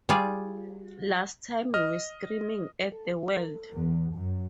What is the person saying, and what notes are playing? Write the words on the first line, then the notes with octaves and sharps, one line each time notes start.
Last time, we were screaming at the world.
G3 F4 G#4 D5
D#5 F6
E2
F#2